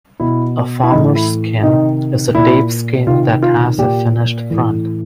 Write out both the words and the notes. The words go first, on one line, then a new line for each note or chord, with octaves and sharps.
A "farmer's sink" is a deep sink that has a finished front.
B2 E4
E4
A2 E3 D#4
E4
C3 D#3 D#4
A#2 E4
C3 D#3 F4
F4
A#2 G4
A2 E3